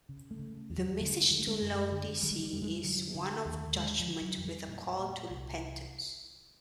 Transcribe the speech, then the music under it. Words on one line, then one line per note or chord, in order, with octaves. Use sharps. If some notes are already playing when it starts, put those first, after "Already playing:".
The message to Laodicea is one of judgement with a call to repentance.
C#3
A3
C#3
E2
F#3
D3 G3
D3
A3
G#3
F#2
D3
D3 G3
G#3
G3
F2 G3
G#3
G3
D3 F#3
D3
D#2
D3 G#3
F3
D3
F#3
F2
G3
A#2
A#2
C2